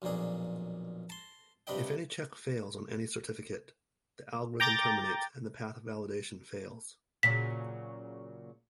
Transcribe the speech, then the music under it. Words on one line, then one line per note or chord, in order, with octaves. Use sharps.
If any check fails on any certificate, the algorithm terminates and path validation fails.
B1 F2 A#2 D4 G#4
A5 C6
G2 C3 D4 B4 D#5 G5
G5 A#5 D6 G6 A6 A#6
A#2 C#3 F#3 B6